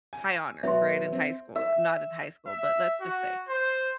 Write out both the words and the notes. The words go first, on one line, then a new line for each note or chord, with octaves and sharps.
high honors, right, in high school. I'm not in high school, but let's just say.
G#5
B2 F#3 B3 E5 C6
C4
E5
E5
F#4
C5